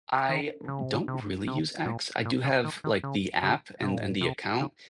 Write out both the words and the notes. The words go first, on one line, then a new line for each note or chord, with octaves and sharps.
I don't really use X. I do have, like, the app and and the account,
D#3
C#3
C3
C#3
C3
C3
A#2
A#2
C#3
D#3
D#3
C#3
C#3
C3
A#2
G#2
A#2
C3
C#3